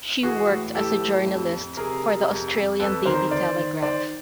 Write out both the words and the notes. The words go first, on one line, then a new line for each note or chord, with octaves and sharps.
She worked as a journalist for the Australian "Daily Telegraph".
E3 F#4 G#4
A2
E3 G4 A4
A2
F2
F2
C3 G#4 A#4
C3
F2
F2
F2 A4 B4
D#3 A#4 C5
D#3 C5 D5
D#3
D#3 C5 D5